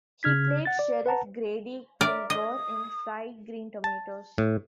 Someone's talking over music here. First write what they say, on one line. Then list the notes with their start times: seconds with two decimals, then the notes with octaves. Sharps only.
He played Sheriff Grady Kilgore in "Fried Green Tomatoes".
0.23 C#3 F6 G#6 B6
0.65 F#5 A6
0.79 D5
1.06 B4 F#5 A5 A#5
2.01 A#4 D5 E5
2.30 D#5 D#6
3.84 A5
4.38 A2